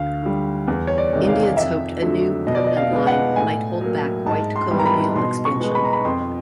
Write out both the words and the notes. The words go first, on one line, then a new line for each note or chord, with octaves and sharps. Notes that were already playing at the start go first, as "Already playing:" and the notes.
Indians hoped a new, permanent line might hold back white colonial expansion.
Already playing: D2 F5
D3 G3
E2
C#5
D5
C3 D#3 G#3
F5
F2 E5
D3 F#3 A3
B2 D#5
D5
D#5
F5
G#3 B3
F#5
A2 G#5
F#3 A#3
G#2 A5
C6
E3 G3 B3
A#5
B5
B2 C6
C#6
G#3 B3
B5
A#5
B5
F2 C6